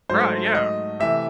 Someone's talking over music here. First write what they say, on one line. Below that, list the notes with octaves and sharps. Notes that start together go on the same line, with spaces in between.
Right, yeah.
G#2 F#3 A3 C5
D#5
C3 E3 A3 E5